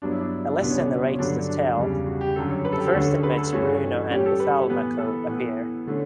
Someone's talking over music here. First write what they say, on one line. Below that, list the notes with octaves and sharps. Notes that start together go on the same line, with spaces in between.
Elissa narrates this tale, the first in which Bruno and Buffalmacco appear.
G2 F#3 B3 D4
E4
D4
C#2 B2 G3 B3 D4
C#4
D4
C#4
G2 D3 F#3 D4
D4
E2 C#3 G3
F#4
G4
F#2 D3 G3 A4
C#5
B4
A4
G4
A4
D2 D3 A3 C#4
B4
A4
G2 E3 A3 C#4 F#4
A2 G3 C#4 G4
A4
B4
A2 E3 B3
A4
A2 E3 B3
D3 A3 C#4